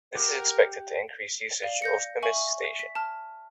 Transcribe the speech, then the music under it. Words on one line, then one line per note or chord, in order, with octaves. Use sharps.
This is expected to increase usage of Pimisi station.
G4 A#4 F#5 D6
D5 F5
G6 A#6 C#7
E5 G#5 C#6 F#7
B6
A5 F6